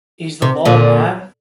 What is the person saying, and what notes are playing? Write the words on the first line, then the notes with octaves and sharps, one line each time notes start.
Is the law mad?
C3
A#2 D3